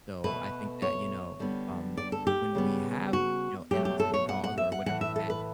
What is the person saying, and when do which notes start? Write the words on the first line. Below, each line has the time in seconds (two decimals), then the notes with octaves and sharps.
so I think that, you know, um, when we have, you know, animals like a dog or whatever pet,
0.24 B2 A3 B4
0.82 C#5
1.39 D3 G3 B3
1.97 D5
2.12 A4
2.27 G4
2.55 C#3 G3 B3
3.13 F#4
3.71 B2 F#3 A3 G4
3.85 G4
4.00 A4
4.14 C#5
4.29 F#5
4.44 F#5
4.58 E5
4.72 F#5
4.86 A2 E3 A3 F#5
5.01 E5
5.16 A4
5.30 B4